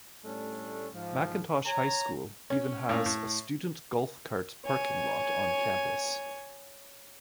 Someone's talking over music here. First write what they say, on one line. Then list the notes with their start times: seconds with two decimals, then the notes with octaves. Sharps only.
McIntosh High School even has a student golf cart parking lot on campus.
0.24 A2 G3 A3 C#4 D4
0.93 G#2 F3
1.65 C#5 G#5 A#5
2.50 C#4 C#5
2.89 A2 C#4 F5
3.06 A2
4.65 C#5 G#5